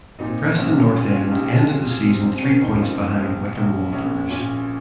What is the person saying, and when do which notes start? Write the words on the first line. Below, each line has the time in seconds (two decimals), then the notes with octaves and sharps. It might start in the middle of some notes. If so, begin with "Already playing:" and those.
Preston North End ended the season three points behind Wycombe Wanderers.
0.19 A#2 C4 D#4
0.56 A#1 C#4 F4
0.93 A#1 C#4 F4
1.12 C#4 F4
1.31 A#1 D#4 G4
1.50 C#4 F4
1.68 C3 F4 G#4
1.87 F4 G#4
2.05 C3 C4
2.24 C4
2.42 F2 A#3 C#4
2.62 C4 D#4
2.80 F2 C#4 F4
2.91 A#3
2.99 C4
3.18 A#1
3.55 A#1
3.92 A#1 A#3 C#4
4.29 A#2 C#4 F4